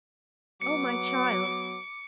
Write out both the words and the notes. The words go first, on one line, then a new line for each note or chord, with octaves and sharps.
Oh, my child!
F#3 B3 D6 C#7